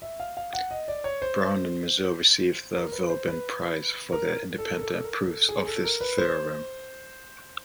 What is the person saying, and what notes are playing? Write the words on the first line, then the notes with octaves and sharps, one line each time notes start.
Brown and Mazur received the Veblen Prize for their independent proofs of this theorem.
E5
F5
F5
F#5
D#5
D5
C#5
C5
A#4
B4
C5
B4
A#4
A4
A#4
A4
A#4
A4
G#4
A4
A#4
B4
C5